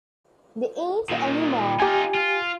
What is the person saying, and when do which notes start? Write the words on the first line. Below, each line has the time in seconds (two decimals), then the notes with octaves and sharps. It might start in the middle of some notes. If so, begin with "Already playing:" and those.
There ain't any more.
1.09 A#2 D#3
1.80 D#4 F4 G4 G#5
2.15 F4